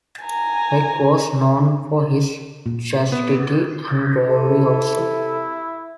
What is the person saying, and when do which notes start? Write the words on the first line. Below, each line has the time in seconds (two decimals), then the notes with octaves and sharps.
Bek was known for his chastity and bravery also.
0.23 G#5 A#5
2.66 A#2
3.12 B3
4.27 C3 E4 A4